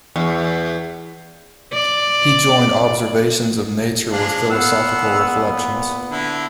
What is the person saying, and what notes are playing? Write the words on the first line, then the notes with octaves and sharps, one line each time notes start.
He joined observations of nature with philosophical reflections.
E2
D5
F3 G#3 D4
A#2 B3 F5 F#5 E6
D3 E4